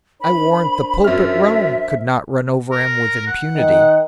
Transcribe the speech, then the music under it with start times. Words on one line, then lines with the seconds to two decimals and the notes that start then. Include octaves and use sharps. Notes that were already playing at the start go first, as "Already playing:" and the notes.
I warrant the pope at Rome could not run over him with impunity.
0.21 D4 A#4 C5 B5
1.04 F#2 E5 F6
2.72 A#4
3.27 F#5
3.55 D#3